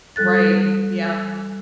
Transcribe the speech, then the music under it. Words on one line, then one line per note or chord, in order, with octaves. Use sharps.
Right. Yeah.
G3 A4 F#6 A6